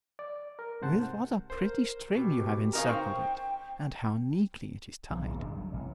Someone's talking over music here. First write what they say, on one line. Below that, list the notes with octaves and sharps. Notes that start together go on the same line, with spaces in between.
'With what a pretty string you have encircled it,--and how neatly it is tied!
D5
A#4
G#2 C3 C5 F#5 A5
A#4 C5
B2 G4
C#3 C4 D#4 A#4
C5 G5 C#6
B1
D1 A#1 G2
D1 G2 D4
F#3 G3
A1 C3